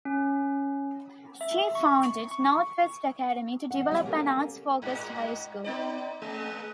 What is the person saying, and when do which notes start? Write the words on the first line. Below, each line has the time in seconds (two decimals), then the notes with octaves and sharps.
She founded Northwest Academy to develop an arts-focused high school.
0.05 C#4
1.41 E5
1.75 C#6
2.31 C#6
3.71 C4 F#5
3.91 C#3 F#3 G3 B3 G4
4.06 A#3 C#4 G4 A4 A#4
4.82 G2 A#2
5.64 B3 D#4 D5
6.22 G#3